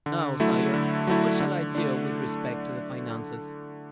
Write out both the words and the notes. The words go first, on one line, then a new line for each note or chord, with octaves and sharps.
"Now, sire, what shall I do with respect to the finances?"
D3
F#3 A3 E4
D3
F#3 A3 E4
D3
A3 D4